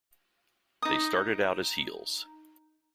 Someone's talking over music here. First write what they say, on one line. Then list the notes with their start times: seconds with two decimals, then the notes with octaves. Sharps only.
They started out as heels.
0.82 D#4 D#6